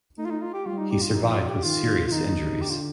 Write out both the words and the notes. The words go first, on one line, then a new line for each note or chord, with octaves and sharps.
He survived with serious injuries.
A3 D#4
F4
D#4
F4
G4
G3 F4
D#4
G4
F4
F3 D#4
D#4
F4
G4
D#3 F4
F4
D#3 D#4
D3 G4
F4